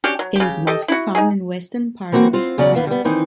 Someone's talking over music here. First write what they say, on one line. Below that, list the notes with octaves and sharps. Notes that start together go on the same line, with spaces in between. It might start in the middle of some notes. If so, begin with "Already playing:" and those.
It is mostly found in western part of Istria.
C#4 D4 F#4 G4
F#3
C#3 G4
G4 A4 D#5
E4 F#4
D#4 G#4
E3 A#3 C4 D#4 F#4
C4 F4
E2 C#3 F#3 D5
E2 B3 F5
G3 B3
D#3 E3 C4 D#4